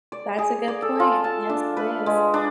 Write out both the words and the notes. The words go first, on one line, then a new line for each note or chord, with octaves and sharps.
That's a good point. Yes, it is.
D5
G#4
D5
A4
F4
A5
D4
B4
G#3
D4